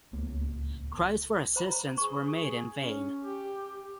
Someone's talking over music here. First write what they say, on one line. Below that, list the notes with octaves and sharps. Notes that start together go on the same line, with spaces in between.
Cries for assistance were made in vain.
D1 C#2 A#3 B3
C5 A#5 B5
G#4 C#6
C#4
G4